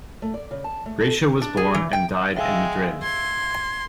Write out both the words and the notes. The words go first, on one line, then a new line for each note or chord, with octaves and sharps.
Gracia was born and died in Madrid.
A3
D5
C#3
A5
A3
A4
D4
G#4
E3
G5
G#3 E5 F5 G5 E6
C6 G#6